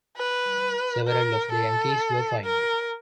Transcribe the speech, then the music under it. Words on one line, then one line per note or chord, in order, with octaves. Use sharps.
Several of the Yankees were fined.
B4
A#4
A4
A#4